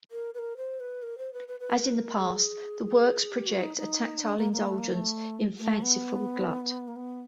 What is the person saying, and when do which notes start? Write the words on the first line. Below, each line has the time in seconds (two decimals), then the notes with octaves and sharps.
As in the past, the works project a tactile indulgence in fanciful glut.
0.11 A#4
0.34 B4
0.39 A#4
0.57 C5
0.80 B4
1.02 A#4
1.18 C5
1.33 B4
1.48 B4
1.60 B4
1.71 A#4
1.83 B4
1.94 A#4
2.17 G#4
3.31 G4
3.46 F#4
3.61 D#4
3.77 D#4
4.22 D4
4.38 A#3
4.53 A#3
4.68 A3
4.78 A#3
4.89 A#3
4.93 A3
5.59 A3
5.82 B3
6.88 A#3
6.96 B3